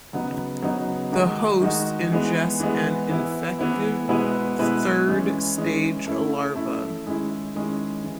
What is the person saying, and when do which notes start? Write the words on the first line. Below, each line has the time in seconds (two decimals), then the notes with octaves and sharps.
The host ingests an infective third stage larva.
0.13 C#3 F#3 B3 D#4
0.62 C#3 F#3 B3 D#4
1.12 D#3 G#3 D#4 F#4
1.61 D#3 G#3 D#4 F#4
2.12 E3 G#3 B3
2.60 E3 G#3 B3
3.09 E3 B3 E4
3.59 E3 B3 E4
4.08 B2 G#3 B3 E4 B4
4.59 B2 G#3 B3 E4 B4
5.08 E3 G#3 C#4
5.58 E3 G#3 C#4
6.07 A3 C#4 E4
6.55 A3 C#4 E4
7.06 D#3 G#3 C#4 E4
7.55 D#3 G#3 C#4 E4
8.04 E3